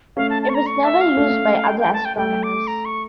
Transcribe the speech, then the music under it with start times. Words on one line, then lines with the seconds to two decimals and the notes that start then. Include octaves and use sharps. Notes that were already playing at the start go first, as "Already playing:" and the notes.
It was never used by other astronomers.
0.17 A3 C#4 F5
0.30 A5
0.42 A5
0.49 C#6
0.55 A#5
0.66 C#6
0.84 E5
1.01 F5
1.17 A3 C#4
1.68 G5
1.80 G5
1.93 A5
2.05 G5
2.17 A3 G5
2.43 D6
2.67 A#5
2.85 C#6